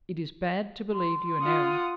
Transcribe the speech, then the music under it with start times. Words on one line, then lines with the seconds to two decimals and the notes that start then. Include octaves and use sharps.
'It is bad to believe you in error.
0.93 C6
1.41 F4 F#5 D#6